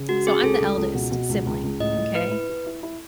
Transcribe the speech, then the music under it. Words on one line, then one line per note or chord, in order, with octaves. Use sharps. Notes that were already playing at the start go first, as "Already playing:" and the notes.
so I'm the eldest sibling, okay?
Already playing: C#3
G#3 F#4
C#4 G#4
C#2 A4
C#2
C#2
B2
B2
C#2
C#2
C#2
A2 D#5
A2
E4 B4
E4
E4
E4
E4